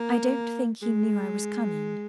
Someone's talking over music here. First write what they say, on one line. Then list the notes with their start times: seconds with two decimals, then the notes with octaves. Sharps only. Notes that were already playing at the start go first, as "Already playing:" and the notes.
"I don't think he knew I was coming."
Already playing: A#3
0.82 G#3